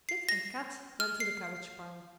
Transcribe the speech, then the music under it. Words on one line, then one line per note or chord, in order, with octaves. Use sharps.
Kit and Kat ran to the cabbage-pile.
C7
A#6
F6
C7